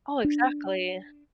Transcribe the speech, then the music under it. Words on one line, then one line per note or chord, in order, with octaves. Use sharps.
Oh, exactly.
D4